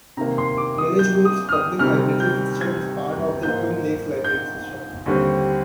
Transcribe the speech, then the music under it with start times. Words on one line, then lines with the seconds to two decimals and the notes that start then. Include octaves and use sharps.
Milledgeville's public library system is part of the Twin Lakes Library System.
0.17 C3 D#3 A#3 A#5
0.38 C6
0.57 D6
0.78 D#6
0.99 G6
1.25 D#6
1.49 F6
1.52 D#6
1.79 D2 C3 D#3 G3 F6
2.20 G6
2.61 G#6
3.43 G#2 F3 A#3 D#4 G6
4.24 G6
5.06 D#2 D3 G3 C4